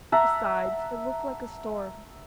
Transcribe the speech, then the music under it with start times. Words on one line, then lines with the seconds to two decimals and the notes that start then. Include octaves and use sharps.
Besides, it looked like a storm.
0.12 E5 F#5 A5 A#5